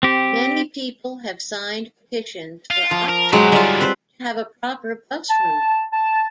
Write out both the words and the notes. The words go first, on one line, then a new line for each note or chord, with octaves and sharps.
Many people have signed petitions for Oxshott to have a proper bus route.
C4 G4
F4
F3
A#4
B2 F#3 G#3 G4
D3 D#3 G3 F4
C4 B4 C5
A5
A5